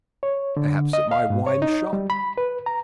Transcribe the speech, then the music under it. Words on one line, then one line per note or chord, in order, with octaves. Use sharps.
"Perhaps at my wine-shop?"
C#5
D3
D#5
F5
G#2
C#5
D#4
G3
B5
B4
A#5